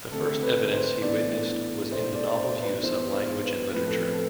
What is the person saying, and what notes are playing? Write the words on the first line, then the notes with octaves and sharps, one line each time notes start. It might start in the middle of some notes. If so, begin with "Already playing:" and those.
The first evidence he witnessed was in the novel use of language and literature.
D3 A3 C4 A4
B4
C5
A2 E3 B3 D4 D5
B2 A3 D4 C5
D5
C5
B4
B4
E3 B3 D4 C5
C5
B4
A2 F3 C4 B4
A4
A4